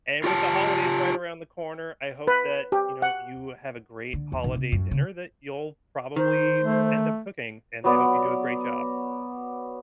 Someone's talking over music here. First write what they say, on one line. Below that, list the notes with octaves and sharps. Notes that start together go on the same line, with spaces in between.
and with the holidays right around the corner, I hope that, you know, you have a great holiday dinner that you'll probably end up cooking, and I hope you do a great job.
F4 G4 C#5 A5
B4
G4
F#5
D3
E2
B1
C3
F#2
C#3
D#3 C5
A3
F#3 B3 D5